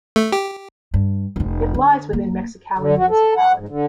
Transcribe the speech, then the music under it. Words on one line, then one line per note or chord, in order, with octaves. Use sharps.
It lies within Mexicali Municipality.
A3
G4
G2
F1 C3
D3
A#3
D3
F#4
A4
F#5
G#2
D3